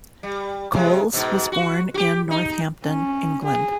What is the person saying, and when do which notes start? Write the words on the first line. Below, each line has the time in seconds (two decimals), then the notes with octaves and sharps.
Coles was born in Northampton, England.
0.23 G3
0.73 C3 G#3
1.13 G#2 B2
1.52 F#4
1.94 F#4 G4
2.31 D#4
2.85 C#4
3.44 G#4